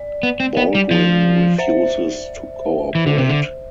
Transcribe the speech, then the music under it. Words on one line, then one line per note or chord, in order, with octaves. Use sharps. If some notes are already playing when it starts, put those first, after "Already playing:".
Baldwin refuses to cooperate.
Already playing: D5
B3
C4
B3
G3
F3
C5 E5
E3
D3
C3
D3